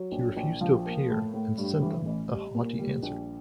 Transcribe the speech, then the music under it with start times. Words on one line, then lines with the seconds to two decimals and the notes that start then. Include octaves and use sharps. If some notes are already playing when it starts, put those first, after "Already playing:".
He refused to appear, and sent them a haughty answer.
Already playing: F#3
0.12 A#1
0.37 A#1
0.61 F3
0.86 A#3
1.09 A2
1.34 A2
1.58 G2
1.82 E3
2.06 A1
2.31 G3
2.55 A#2
2.79 G3
3.03 A#1